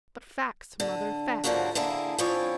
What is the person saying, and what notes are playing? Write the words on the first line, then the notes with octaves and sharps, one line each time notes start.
"But facts, mother, facts!"
D3
G#2 D3 F3 F#3 A#3 F#4
D3 A#3 E4 G#4
F3 C4 C#4 E4 C#5 D5